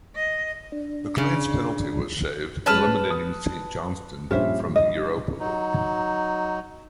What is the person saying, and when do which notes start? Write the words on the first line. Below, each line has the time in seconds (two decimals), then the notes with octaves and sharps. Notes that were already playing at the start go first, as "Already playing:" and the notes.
MacLean's penalty was saved, eliminating Saint Johnstone from the Europa League.
0.16 D#5
0.72 D4
1.18 C#3
2.66 G#3 C#4 B4 C#5 A5 F6
3.10 D#6
4.31 A#1 G2 G3 C#4 C5 E5
4.76 D#5
5.40 F#3 D#4